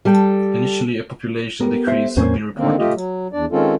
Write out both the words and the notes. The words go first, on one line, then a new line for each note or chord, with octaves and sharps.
Initially a population decrease had been reported.
G3 A4 G5
B3 G4 A#4
C5 E5
E2 A2 F#3 A#3 C4 C#4 C5
D3 D#3 A#3 C4
A3 F4 G4 D#5
F#3
E2 D4 D5
D#3 G#3 C4 C#4 F4 A4